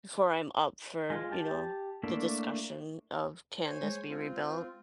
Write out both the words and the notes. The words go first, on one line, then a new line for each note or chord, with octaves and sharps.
before I'm up for, you know, the discussion of "can this be rebuilt."
G#3 F4
G4 A5
A3 A#3 D4 E4 E5
C5 C#5 G#5
G#3
C4 F4